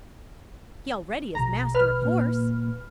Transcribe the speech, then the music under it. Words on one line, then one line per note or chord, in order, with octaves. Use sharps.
He already is master of horse.
A#1 B2 A#5
B4 F6
A#2 A#3